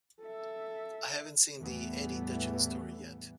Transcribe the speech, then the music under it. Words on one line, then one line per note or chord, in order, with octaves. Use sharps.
I haven't seen "The Eddy Duchin Story" yet!
A4 E5
E2 A2 E3 G3 A3 B3